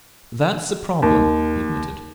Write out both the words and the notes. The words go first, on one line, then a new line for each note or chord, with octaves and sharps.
"That's a problem," he admitted.
D#2